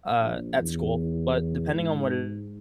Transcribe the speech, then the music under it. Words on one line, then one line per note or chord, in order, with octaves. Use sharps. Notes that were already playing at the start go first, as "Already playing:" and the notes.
uh, at school. But depending on what it
A#1
E2
G#2